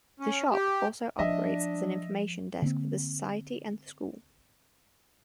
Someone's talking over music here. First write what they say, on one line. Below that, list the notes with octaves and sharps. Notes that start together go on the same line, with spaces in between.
The shop also operates as an information desk for the Society and the School.
C#4
G4
F3 D4 D#5 E5
D3 A#3 C4